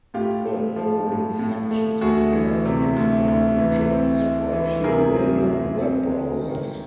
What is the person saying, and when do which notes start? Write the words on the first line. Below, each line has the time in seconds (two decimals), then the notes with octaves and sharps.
The following sections compare address bar widgets for a few well-known web browsers.
0.14 A2 F4 G4
0.45 A3
0.76 F3
1.08 A2
1.39 A2
1.71 A3
2.01 D2 F#4 G#4
2.33 E3
2.65 C3
2.96 D2
3.28 D2
3.58 E3
3.91 C4
4.21 G#3
4.53 E3
4.84 C3 G#4 A#4
5.15 C4
5.46 G#3
5.78 C4
6.09 G#3
6.41 D#3